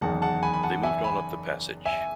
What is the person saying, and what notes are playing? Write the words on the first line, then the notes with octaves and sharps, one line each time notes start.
They moved on up the passage.
F#1 E2 D#3 F#5 A5
F#5 A5
G#5 B5
B5
F#5 A5
E5 G#5
G#5 B5
E5 G#5